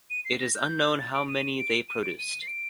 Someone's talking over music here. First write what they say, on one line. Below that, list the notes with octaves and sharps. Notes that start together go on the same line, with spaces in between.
It is unknown how many they produced.
D#7
C7
A#6
G6
A6
D7
D#7
D7
D#7
D7
D#7
C7
D7